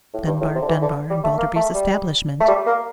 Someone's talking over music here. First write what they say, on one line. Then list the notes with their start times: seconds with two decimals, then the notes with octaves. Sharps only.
Dunbar, Dunbar, and Balderby's establishment.
0.14 A2
0.27 G2
0.41 A2
0.55 C3
0.62 D3
0.69 E3
0.82 D3
1.10 G3
1.24 A3
1.38 A#3
1.56 A3
1.74 G3
2.40 A3
2.48 G3
2.67 A#3